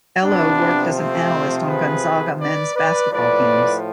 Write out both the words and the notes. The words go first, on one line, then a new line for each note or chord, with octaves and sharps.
Ehlo worked as an analyst on Gonzaga men's basketball games.
C3 F3 B3 D4
A3 C4
G#4 B4
B4 D5
B4 D5
A2 F3 B4 D5